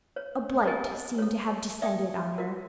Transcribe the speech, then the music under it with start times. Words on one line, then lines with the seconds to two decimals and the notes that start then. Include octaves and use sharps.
A blight seemed to have descended on her.
0.16 C#5
0.67 G4 A#4 D#5 G#5
1.18 A4 C#5
1.82 D5 E5 G5 D#6
2.38 F#4 A#4